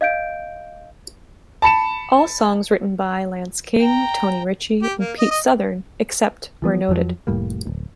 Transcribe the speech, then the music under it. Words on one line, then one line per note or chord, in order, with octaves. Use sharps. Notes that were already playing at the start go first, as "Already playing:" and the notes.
All songs written by Lance King, Tony Ritchie, and Pete Southern, except where noted.
D#5 F5 G6 D7
A5 B5 C#7 E7
G5 A#5
G4
A#3
D#5
D#5
E3 F3 B3
F2 F3 F#3
F1 A2 G3 A#3
D1